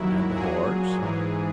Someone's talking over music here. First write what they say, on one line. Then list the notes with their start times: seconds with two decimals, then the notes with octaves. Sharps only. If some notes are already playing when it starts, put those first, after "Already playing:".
"And the horse?"
Already playing: D#2 D#3 F#3 E4
0.36 A#2 F#3 G#4
0.98 G#2 E3